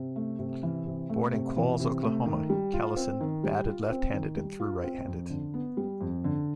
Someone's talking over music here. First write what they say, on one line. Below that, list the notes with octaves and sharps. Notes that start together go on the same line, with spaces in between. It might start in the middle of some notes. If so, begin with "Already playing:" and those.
Born in Qualls, Oklahoma, Callison batted left-handed and threw right-handed.
Already playing: C3
A3
C3
E3
C3
A3
C3
E3
C3
A3
D#3
G3
F4
C4
D#3
G3
F4
C4
D#3
G3
F4
C4
F2
D3
B3
G3
F2
D3